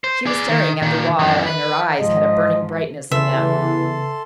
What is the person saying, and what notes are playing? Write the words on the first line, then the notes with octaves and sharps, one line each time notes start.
She was staring at the wall, and her eyes had a burning brightness in them.
C5
G#4 D5
D#3
A#2 D#3
F#2 E3
B4
G#2 F3 D#5
E2 C#3 E3 A4 B4 E5 C6